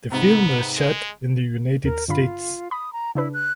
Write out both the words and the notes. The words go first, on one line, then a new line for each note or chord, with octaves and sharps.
The film was shot in the United States.
G#2 C3 B3
G#3
D#2 A#4
G2 D3 F4 B5
B5 D#6
A#5
C#3 D4 E4 B4
F#6